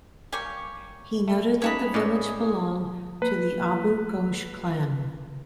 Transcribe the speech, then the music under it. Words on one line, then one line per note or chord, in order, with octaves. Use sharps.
He noted that the village belonged to the Abu Ghosh clan.
G3 A#3 G4 C#5 G#5
A3
C#4 D#4 G4 B4 C#5 A5 B5
A2 C#4 E4 G#4 D5 D#5
A#3 B4